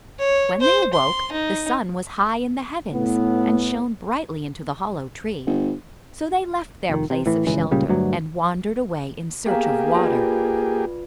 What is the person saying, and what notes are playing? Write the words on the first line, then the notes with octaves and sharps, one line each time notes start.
When they awoke the sun was high in the heavens, and shone brightly into the hollow tree, so they left their place of shelter and wandered away in search of water.
C#5
C5
C6
D#4
A2 B3
G1
F1 D#3
C3
A2 E3
D#1 C#2 E3
C#2 A#2 C#3 G3
D2 G2 F#3
A#3 B3 G4 G#4 F5 A#5
F4 B4 D5